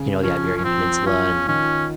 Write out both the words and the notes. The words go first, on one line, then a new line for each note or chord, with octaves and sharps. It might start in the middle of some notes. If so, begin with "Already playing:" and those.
you know, the Iberian Peninsula and
Already playing: C#3
F3 C#4
C#4
F3 C4
C#4 F4
D#3 C#4